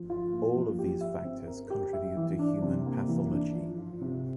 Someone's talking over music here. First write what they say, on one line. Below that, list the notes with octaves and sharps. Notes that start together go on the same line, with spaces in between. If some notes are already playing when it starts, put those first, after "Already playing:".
All of these factors contribute to human pathology.
Already playing: F3
F4
A#3
F3
G4
E5
C4
A#4
G4
E5
E3
D4
C3
A#3
E3
D4
F3
F4
C3